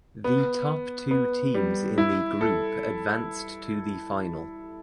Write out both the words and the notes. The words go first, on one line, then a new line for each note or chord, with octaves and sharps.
The top two teams in the group advanced to the final.
B3
B3
G3
E4
A4